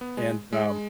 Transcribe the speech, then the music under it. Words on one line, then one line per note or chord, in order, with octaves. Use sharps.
And, um
B3
G#3
G#3